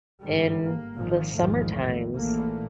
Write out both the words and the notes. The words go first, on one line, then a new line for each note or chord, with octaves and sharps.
in the summer times.
G1 G#2 D3 D#3 G3
A#3
G#1 A#2 D#3 F3
A#1 E2 G#2 D#3 F3 A3
A2
A#1 A#2 E3 A3 A#3